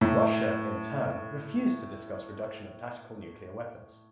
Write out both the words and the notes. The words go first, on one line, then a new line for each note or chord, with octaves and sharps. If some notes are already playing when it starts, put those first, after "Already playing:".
Russia, in turn, refused to discuss reduction of tactical nuclear weapons.
A2